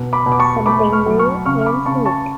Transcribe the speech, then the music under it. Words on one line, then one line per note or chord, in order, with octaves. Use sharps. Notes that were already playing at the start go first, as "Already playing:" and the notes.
Something new and unique.
Already playing: B2
B5 D6
B2
D6
A5 C#6
A3 B5 D6
C#6 F6
F#3
C#6 F6
C#3 C#6 F6
F6
B5 D6
C#3 A5 C#6
A5 C#6